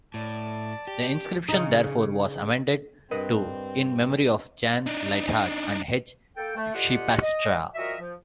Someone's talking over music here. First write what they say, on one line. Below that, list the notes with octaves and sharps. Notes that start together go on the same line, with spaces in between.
The inscription therefore was amended to "In memory of Jan Ligthart and H. Scheepstra".
A2 D5 A5
G4
C#3 D#4
G2 C4 A#4 B4 D#5 F#5
D4 D#4
A#3 A4 G5
A3
D2 D3 F4 G4 D#5 F#5
D#5
F3 G3 F#4 A#4 D#5 E5
F3